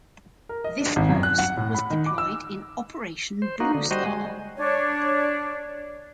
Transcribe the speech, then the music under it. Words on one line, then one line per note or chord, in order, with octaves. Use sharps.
This force was deployed in Operation Blue Star.
A#4
D#5
D4
G#1
F#2
F#6
F#5
A2
B5
D#3
D6
E6
C5
A#3 D#4 F#4
D3
G3 F#4 C5 D#5
G#3
D4 C#5